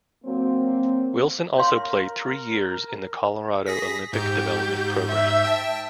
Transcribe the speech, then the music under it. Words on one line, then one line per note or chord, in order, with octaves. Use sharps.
Wilson also played three years in the Colorado Olympic Development Program.
F#3 A#3 C4
A#4 C#5 F5 C6
G#4 A#6 B6
G#2 G4 G6
E5
G5 A5